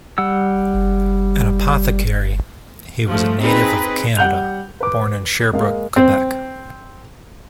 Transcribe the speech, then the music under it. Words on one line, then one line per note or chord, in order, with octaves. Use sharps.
An apothecary, he was a native of Canada born in Sherbrooke, Quebec.
G3 F#5 E6
F3 A3
C4 D#4 G#4 B4
G3 F#5 G6 F7
B4 D6
G#3 A#3 F5
C4